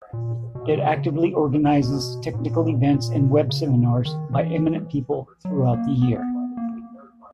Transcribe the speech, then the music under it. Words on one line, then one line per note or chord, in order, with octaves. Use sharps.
It actively organizes technical events and web seminars by eminent people throughout the year.
A#2
B2
D#3
C#3
B2
C#3
B2
G#2
A#2
A#2
C#3
D#3
E3
F#3
A#3
B3
B3
A#3